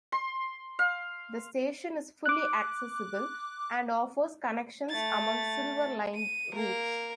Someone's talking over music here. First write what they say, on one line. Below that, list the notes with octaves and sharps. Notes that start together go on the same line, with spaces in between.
The station is fully accessible and offers connections among Silver Line routes.
C6
F5
D6 F#6
A3 A6
D#7
A#3 A#4